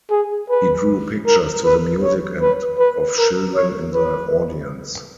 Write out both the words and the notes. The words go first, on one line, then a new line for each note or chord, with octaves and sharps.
He drew pictures to the music and of children in the audience.
G#4
B4
A#4
B4
C#5
B4
B4
A#4
C#5
B4